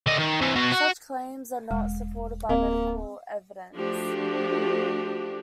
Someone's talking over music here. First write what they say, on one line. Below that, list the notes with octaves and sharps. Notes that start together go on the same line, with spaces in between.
Such claims are not supported by medical evidence.
D3 D#5
D#3
C3 E3
B2 F#4
F#4
E1 G#3
D1 A#3 C4 F5
F3 A3 D4 F#4 G4